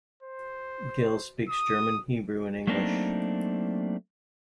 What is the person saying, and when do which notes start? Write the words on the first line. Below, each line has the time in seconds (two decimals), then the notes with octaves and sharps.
Gil speaks German, Hebrew, and English.
0.23 C5
1.49 D#6
2.67 F#3 A3 A#3 C4 D4 D#4